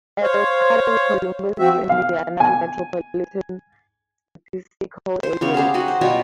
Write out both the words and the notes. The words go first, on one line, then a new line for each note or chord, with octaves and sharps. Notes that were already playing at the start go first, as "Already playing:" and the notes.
It is part of the Columbus, Indiana metropolitan statistical area.
C5 C#5 F5
F3 C4 F#4 E5
F5
G#5
C5
C#3 B3 G4 C#5
G4 G#4 C5 F5
D#4 F#4 D#5 F#5
C5
B2 G3 F4 C#5